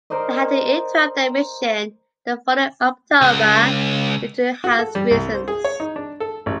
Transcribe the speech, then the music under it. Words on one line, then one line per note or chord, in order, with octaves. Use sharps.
They had to interrupt their mission the following October due to health reasons.
A#4 C5 D5 D#5
C#2
F#4
A4
G3
C2
C5
G#4
C#5
D#4
D4
A4
A1